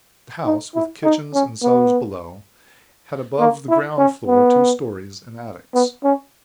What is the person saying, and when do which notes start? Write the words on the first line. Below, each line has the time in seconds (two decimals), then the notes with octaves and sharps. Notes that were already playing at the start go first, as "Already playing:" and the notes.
The house, with kitchens and cellars below, had above the ground-floor, two stories and attics.
0.46 D#4
0.75 E4
1.04 D#4
1.34 C#4
1.63 B3
3.39 A#3
3.69 E4
3.98 C#4
4.27 B3
5.74 B3
6.04 C#4